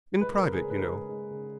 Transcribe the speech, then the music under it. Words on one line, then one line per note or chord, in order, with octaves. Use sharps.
"In private, you know."
G#3 B4
B4
A#4
C#3
G#4
C#3
B4
A#4
G#3 G#4
A#4
G#3
C#3